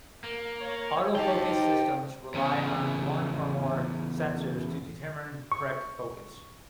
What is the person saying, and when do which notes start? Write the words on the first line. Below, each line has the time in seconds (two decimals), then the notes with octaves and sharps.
Autofocus systems rely on one or more sensors to determine correct focus.
0.24 A#3
0.60 C#5
1.16 D#4 G4 C5 F5 G5 A5
2.34 E2 C#3
5.52 C#6